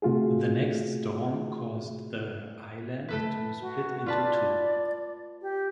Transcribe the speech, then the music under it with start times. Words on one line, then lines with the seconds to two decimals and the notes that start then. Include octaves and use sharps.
The next storm caused the island to split into two.
0.02 C3 A3 F4 F#4 G#4
3.08 A3 A4 B4
3.61 F#4
4.06 F4 B4 D5 A5
4.23 D5
5.42 G4